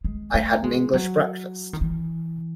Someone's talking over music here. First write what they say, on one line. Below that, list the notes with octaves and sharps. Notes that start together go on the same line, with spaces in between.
I had an English breakfast.
G#3
A3
G#3
F#3
D#3
E3